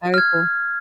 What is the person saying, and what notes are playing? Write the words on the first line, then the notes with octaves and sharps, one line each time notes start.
Very cool.
F6 G#6